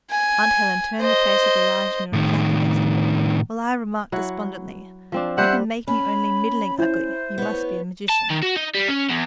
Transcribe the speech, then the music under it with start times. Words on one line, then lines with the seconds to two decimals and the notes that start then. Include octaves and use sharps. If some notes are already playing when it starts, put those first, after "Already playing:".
Aunt Helen turned the face of the large mirror flat against the wall, while I remarked despondently, "you can make me only middling ugly, you must be a magician."
0.11 G#5
1.01 C5 D#5
2.13 A2 D#3
4.12 F#3 E4 F#5
5.12 F3 C4 D4
5.38 G3 C5 E5 F#5
5.88 C#4 B5
6.78 E4 C5
7.38 B3 C#5
8.09 A5
8.30 D#3
8.43 F#4
8.57 D#4
8.75 G3
8.89 C#4
9.10 E2